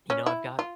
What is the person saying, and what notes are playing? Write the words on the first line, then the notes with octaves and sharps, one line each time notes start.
you know, I've got
C#4
E4
F4